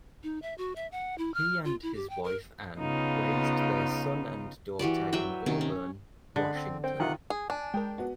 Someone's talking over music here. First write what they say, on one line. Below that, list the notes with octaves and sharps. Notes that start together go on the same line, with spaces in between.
He and his wife Ann raised their son and daughter in Auburn, Washington.
D#4
E5
F#4
E5
F#5
E4
F6
F4
E4
G4
G5
A#4
C#3 B3 D#4 F4
E3 F#4 G4 D5
F#3 B4 E5 G5
C3 D#3 C#4
C#4
D3 G#3 B5
C4
C4 G5
C3 D#3 F4 F#5 F#6
G#4
D4 G#5
G#3 A#4 G5
B3 F#4